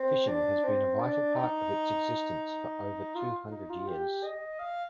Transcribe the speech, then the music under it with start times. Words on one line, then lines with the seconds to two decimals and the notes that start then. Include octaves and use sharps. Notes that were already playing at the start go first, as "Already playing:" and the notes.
Fishing has been a vital part of its existence for over two hundred years.
Already playing: C4
0.28 D4
0.64 C4
0.99 D4
1.35 D#4
3.15 F4
3.51 D#4
3.70 F4
3.87 G4
4.23 D#5
4.59 F5